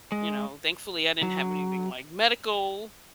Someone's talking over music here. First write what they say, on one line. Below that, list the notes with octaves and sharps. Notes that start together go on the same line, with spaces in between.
you know, thankfully I didn't have anything like medical
G#3
F#3